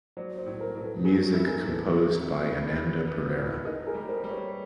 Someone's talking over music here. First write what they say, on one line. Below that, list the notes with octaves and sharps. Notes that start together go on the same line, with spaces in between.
Music composed by Ananda Perera.
F#3 C5 D5
C5 D5
A2
A#4 C5
A2
A4 B4
F#3 F#4 G#4
E4
G#4 A#4
A2
A4 B4
F#3
E4
B3
B3
B3
A2
D#4 G#4 A#4
G#4 A#4
G3
A#4 C5
G3
B4 C#5